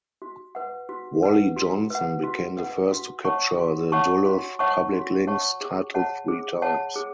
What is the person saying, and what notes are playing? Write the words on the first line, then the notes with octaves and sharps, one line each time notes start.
Wally Johnson became the first to capture the Duluth Public Links title three times.
F#4
B4 F#5
F#4
B4 F#5
F#4
B4 F#5
F#4
B4 F#5
F#4
C#5 F#5 A5 C#6
F#4
C#5 F#5 A5 C#6
F#4
C#5 F#5 A5 C#6
F#4
C#5 F#5 A5 C#6
G#4
C#5 F#5 A5
G#4
C#5 F#5 A5
G#4